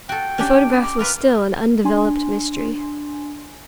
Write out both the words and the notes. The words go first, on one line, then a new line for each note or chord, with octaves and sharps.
The photograph was still an undeveloped mystery.
F#4 A4 G5
C#4 D4 G4
D6
F4 A#4 B4 F6
D4 G#5 C6